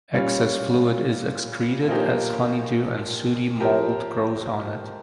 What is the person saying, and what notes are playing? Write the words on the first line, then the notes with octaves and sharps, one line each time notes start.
Excess fluid is excreted as honeydew and sooty mould grows on it.
A#2 G3 C#4 F4
A#2 F3 A#3 D#4 G4
F3 C4 G4 A#4